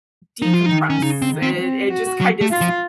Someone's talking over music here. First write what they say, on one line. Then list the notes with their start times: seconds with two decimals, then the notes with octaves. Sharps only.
decompress. It it just kind of, s
0.42 F3 D#4
0.54 F4
0.66 D#4
0.73 D#3
0.90 C#4
1.02 C#3 D#4
1.22 C4
1.32 D#3
1.42 C4
1.62 C4
1.91 F#4
2.21 F#3
2.41 A3
2.51 F4
2.61 F3